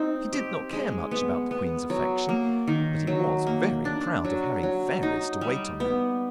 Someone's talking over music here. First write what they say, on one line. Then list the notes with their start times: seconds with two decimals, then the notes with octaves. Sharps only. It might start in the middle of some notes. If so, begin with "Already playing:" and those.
He did not care much about the Queen's affection, but he was very proud of having fairies to wait on him.
Already playing: C4 D#4
0.33 G4
0.73 G#3
1.11 B3
1.51 B3
1.90 F#3
2.29 A#3
2.67 D#3
3.07 F#3
3.47 A#3
3.85 D4
4.24 F#3
4.63 F#3
5.03 D#4
5.41 G3
5.80 B3